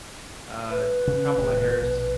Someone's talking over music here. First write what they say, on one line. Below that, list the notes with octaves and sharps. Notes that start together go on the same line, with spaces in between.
uh, Kamala Harris,
B4
C#3 C#4
D#1 A2 C3
A#1 B2